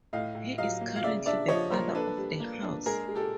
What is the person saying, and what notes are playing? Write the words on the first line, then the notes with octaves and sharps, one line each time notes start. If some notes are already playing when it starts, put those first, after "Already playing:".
He is currently the Father of the House.
A2 D#5 F5
A2
F#3 D#5 F5
A#3
F5
C#3 D5 E5
D4 D5 E5
F3 C#5 D#5
A#3 A#4 C5
D4 A4 B4
G3
A#3
D4
G#3 G#4 A#4
G#3
G4 A4